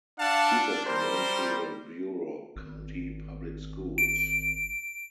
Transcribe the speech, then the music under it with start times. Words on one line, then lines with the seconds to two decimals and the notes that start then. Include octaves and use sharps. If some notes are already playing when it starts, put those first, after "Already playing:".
Peterson went to the Bureau County public schools.
0.19 D4 F5 F#5 A5
0.86 G3 A#4 C5
2.56 G#1
3.98 D7